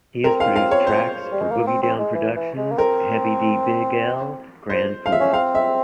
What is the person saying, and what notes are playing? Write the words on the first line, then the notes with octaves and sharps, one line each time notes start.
He has produced tracks for Boogie Down Productions, Heavy D, Big L, Grand Puba.
C4 A#4
F5
F5
C#5
C5
G3
G#3
A#3
C4
C4
G#3
E3
E3
G#3
A#3
C4 A#4
C5
F5
E5
C#4
C4 F5
E5